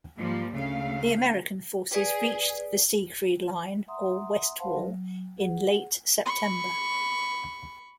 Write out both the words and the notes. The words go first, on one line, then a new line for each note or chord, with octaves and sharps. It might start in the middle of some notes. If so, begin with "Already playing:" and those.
The American forces reached the "Siegfried Line" or "Westwall" in late September.
G#2 F3 G3 A#3
D2 C#3 A3 F5
G#4 B4 D5
E5 F#5 A#5 C6 D#6
C5 F5 F#5 A5 B5 C6
F#3
G#4 F#5
B5 C#6